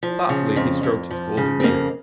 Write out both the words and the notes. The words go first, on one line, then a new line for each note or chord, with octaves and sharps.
Thoughtfully he stroked his golden beard.
F3
C#3
F2
F2
F3
C#3
C4
F2 A#3